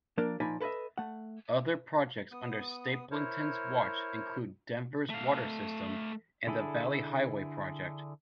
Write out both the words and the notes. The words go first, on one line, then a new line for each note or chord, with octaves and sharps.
Other projects under Stapleton's watch include Denver's water system and the Valley Highway project.
F3 A#3 D4 A#4 D5
A#2 F3 D#4 D5 G#5 B5
A4 B4 C5 D#5 E5
A3 F#5
B3 D#6
E4 A#4 C5 C#5
A3 F5
D3 E4 G#4 A4